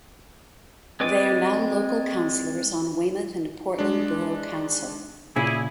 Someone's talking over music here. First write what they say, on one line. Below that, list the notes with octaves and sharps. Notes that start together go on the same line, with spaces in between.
They are now local councillors on Weymouth and Portland Borough Council.
G#3 C4 B4 D5 D6
G#3 D4
A#2 C#3 E4 G#4